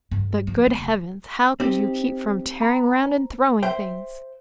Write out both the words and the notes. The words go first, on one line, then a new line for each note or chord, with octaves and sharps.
"But, good Heavens, how could you keep from tearing 'round and throwing things?"
G2
F3
B3
F1
C4 D#4 G4
A#5 B5
C5 E5 G5